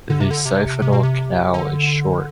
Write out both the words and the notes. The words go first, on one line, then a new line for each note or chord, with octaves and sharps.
The siphonal canal is short.
D3
C3
D3
C3
C3
B2
C3
D3